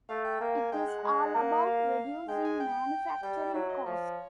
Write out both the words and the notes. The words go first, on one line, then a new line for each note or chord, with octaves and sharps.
It is all about reducing manufacturing costs.
A3 F5
G5
A#3 G5
G#5
G#3 G5
F#5
G#3
A#3
F5
G#3 G5
G#5
G5
G3 G5
F#3 E5
D#5
F3 C#5